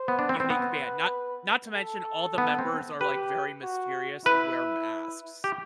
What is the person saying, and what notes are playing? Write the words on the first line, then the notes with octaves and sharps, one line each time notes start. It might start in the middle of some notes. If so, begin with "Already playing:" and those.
unique band. Not not to mention all the members are, like, very mysterious and wear masks.
Already playing: C5
B3
D4
C4
C4
B3 B4
A4
B3
C4
G4 B4
F#4
E4 B4
G4